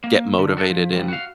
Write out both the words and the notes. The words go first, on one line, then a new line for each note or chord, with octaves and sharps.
get motivated in
A#3
D3
F#4 A4
F3
F3 G3
F#4 F5